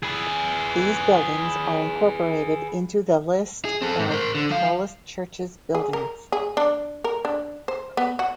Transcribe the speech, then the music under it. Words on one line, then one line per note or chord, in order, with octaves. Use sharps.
These buildings are incorporated into the list of tallest churches buildings.
G#4 B4
G#4
C4 A4
G#2
A#4 C5
D3
F3 F5
G#4
A#4
G#4
D4
A#4
D4
C5
B3
F#4